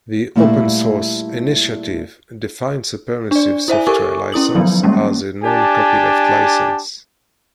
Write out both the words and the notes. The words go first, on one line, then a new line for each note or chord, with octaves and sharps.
The Open Source Initiative defines a permissive software license as a "non-copyleft license".
A#2 G3 A3 E4 E5 F5
D4 D5
E4 C5 E5 G#5
G4 A4 A#4 G#5 C#6 D6
C#4 E4 D#6 F#7
D#3 F3 F#3 B3
G3 G#3 A#3 C#4
D4 G4 G#5 A5